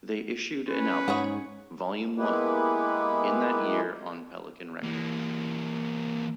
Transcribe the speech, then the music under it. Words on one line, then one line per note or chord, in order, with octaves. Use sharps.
They issued an album, "Volume One", in that year on Pelican Records.
C#4 B4
G#2 G#4 C#5 F#5
G#3 A#3 B3 E4 G4 B4
E3 A#3